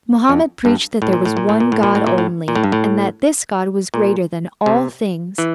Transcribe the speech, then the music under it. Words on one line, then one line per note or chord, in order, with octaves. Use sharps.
Mohammed preached that there was one God only, and that this God was greater than all things.
F2
G2
A2
A#2
A2
A#2
A2
A#2
A2
A#2
A2
A#2
A2
A#2
A2
G2
A2
A#2
C3
E3